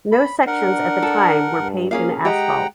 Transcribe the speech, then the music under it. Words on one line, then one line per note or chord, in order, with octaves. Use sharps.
No sections at the time were paved in asphalt.
B5
D4 A#4 F#5
A4
G2
A#3 C#4 G#4 F5
G#3 G4 D#5 F#5 G5 A#5